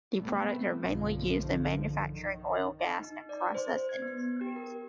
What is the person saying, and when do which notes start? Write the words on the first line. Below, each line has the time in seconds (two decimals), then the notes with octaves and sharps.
The products are mainly used in the manufacturing, oil, gas and process industries.
0.17 C3 G3 A3 B3 C4
0.82 B1 G2 D3 F3
2.12 D#3
3.00 D#4
3.29 D5
3.55 C5
3.89 G#6
4.02 B3
4.41 G4
4.56 A#4